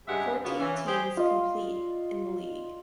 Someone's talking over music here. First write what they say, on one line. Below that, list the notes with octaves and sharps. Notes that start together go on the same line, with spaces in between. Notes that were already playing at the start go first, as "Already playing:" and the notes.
Fourteen teams complete in the league.
G2 C#3 G#3 G4 E5 F#5
C#3 G#3 A#3 B3 F4 F#4
E3 C#4
G4 G#4 C5
F4 D5 D#5 F5